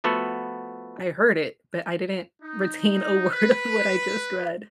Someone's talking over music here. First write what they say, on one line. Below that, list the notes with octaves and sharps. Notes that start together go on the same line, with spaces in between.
I heard it, but I didn't retain a word of what I just read.
F3 A3 B3 F#4 A4
D#4
B4